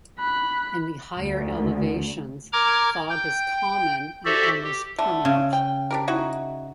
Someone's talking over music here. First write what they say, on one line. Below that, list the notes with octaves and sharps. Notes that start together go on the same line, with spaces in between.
In the higher elevations fog is common and almost permanent.
B5 F#6
D2
A#4 A#5 D6 F6 G#6
G5 G6
F#4 G4 A4 C5 D5 E5
G4
D3 A3
C#3
G5
D4 G4 A#4
D#4 E4 F#4